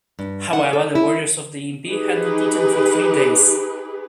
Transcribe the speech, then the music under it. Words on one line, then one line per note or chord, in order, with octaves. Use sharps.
However, the warriors of the impi had not eaten for three days.
G2
F#5
A4
E4
D#4 G4 G#4 B4